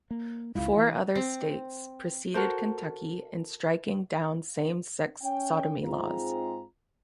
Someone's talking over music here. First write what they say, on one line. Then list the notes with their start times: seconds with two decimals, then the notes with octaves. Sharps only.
Four other states preceded Kentucky in striking down same-sex sodomy laws.
0.11 A#3
0.55 C#2 G#3 E4 F4
0.77 E3
1.15 C4
2.34 F#4 A4 A#4 C5
5.22 C#4 G5
5.84 G#2 G#3 C4 F4 A#5